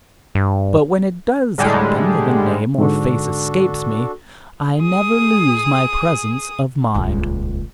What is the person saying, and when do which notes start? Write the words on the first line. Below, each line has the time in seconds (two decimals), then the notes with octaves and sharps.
But when it does happen that a name or face escapes me I never lose my presence of mind.
0.35 G2
1.58 A2 D3 G3 G#3
2.78 G#2 D3 D4 F#4 A4
4.79 G#4 D#6
6.95 D#1 C#2